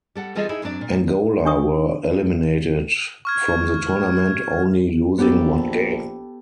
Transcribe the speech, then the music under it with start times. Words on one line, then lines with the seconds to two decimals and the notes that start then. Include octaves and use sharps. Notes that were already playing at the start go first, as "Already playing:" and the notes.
Angola were eliminated from the tournament only losing one game.
0.15 G3 A4 F#5
0.35 E3 G3 F4 G#4 A4 D#5
0.49 D#4 E4 G#4
0.62 F#2 F#3 C4 D4 D5
0.81 A#2
1.45 D4 C#6 D#6
3.25 C#6 F6 G#6
5.18 A#1 B3 G4 A4